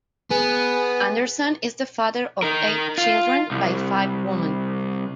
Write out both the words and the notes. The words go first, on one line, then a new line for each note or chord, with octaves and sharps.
Anderson is the father of eight children, by five women.
B3 G#4
D#4 A#4
F4
C2